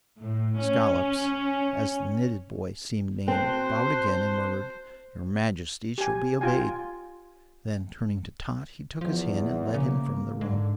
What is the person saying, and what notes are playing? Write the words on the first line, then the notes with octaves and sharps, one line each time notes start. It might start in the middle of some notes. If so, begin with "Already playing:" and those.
Scollops, as the knitted boy seemed named, bowed again and murmured, "Your Majesty shall be obeyed." Then, turning to Tot, he took his hand and led him from the room.
A2
C#4
C4 F#4 C5 A5 C6 F#6
G4 G#5
F4 G5 G#5
E2 F3
C#3 A#3
G#2 D3